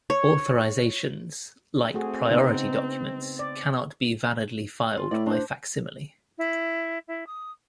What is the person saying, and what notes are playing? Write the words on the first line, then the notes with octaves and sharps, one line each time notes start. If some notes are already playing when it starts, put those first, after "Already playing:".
Authorisations, like priority documents, cannot be validly filed by facsimile.
C#5
A3 C4 F#4 G#4
C#3 B3 D#4
D5
F4
A2 E4 D5
D4 C5
E4
E4
D#6